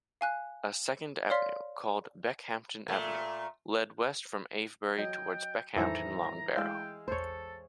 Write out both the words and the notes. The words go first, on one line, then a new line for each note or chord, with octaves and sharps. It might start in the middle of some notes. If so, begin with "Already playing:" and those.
A second avenue, called Beckhampton Avenue led west from Avebury towards Beckhampton Long Barrow.
F5 G#5 F#6
C#5 D5 F5 C6 F6 B6
A#2 A3
F#3 D#5 G5
F2 A2 D#3 E3 G3 A4 C5 A#5
G#3 E4 F5 G5 E6
A1 E2 A4 C5 C#5